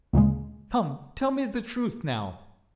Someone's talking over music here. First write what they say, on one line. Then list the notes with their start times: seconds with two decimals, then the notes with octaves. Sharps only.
"Come--tell me the truth now."
0.13 D2 A#2 C#3 G#3